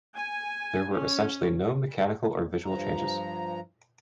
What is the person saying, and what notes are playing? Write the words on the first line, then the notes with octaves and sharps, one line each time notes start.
There were essentially no mechanical or visual changes.
G#5
C#4
G2 F3 A#5